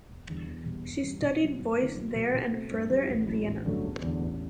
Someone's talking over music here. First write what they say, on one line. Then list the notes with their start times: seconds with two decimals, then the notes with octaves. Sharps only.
She studied voice there and further in Vienna.
0.09 E1
0.28 E2 D3 G3
0.47 E2
0.65 B2 G3
0.85 G2
1.02 E3 G3
1.22 B2
1.40 F#3 C4 F#4
1.59 F#2
1.78 D3 A3 E4
1.96 B1
2.15 B2 F#3
2.34 B2
2.52 A3 C4
2.71 G2
2.90 F#3 C4 G4
3.08 A1
3.27 A2 F#3 C4
3.46 A1
3.65 G2 D3 F#3 A3
3.83 E1
4.02 E2 D3
4.21 A1